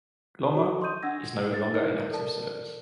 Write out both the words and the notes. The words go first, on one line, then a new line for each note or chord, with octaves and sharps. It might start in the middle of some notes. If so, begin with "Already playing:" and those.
"Glomma" is no longer in active service.
F#4 A4
D#5 C6 C#6 D#6 G6 D#7
D4 F#5 E6 G#6 A#6
A6
D#4 E4 A#4 B4 D#5 E5
A4 A#4 D5 A5